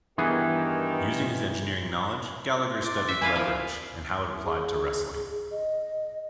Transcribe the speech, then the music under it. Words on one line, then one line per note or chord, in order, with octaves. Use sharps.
Using his engineering knowledge, Gallagher studied leverage, and how it applied to wrestling.
G2 D#3 E3 B3 G4 G#4
C5 D5
E5
E4 B4 D5 F5 G#5
F3 A#4 F5
G#4
D#5